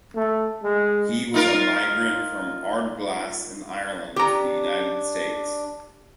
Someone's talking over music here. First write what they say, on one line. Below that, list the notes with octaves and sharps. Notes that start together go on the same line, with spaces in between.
He was a migrant from Ardglass in Ireland to the United States.
A3
G#3
D#4 F4 A#4
D4 G4 A#5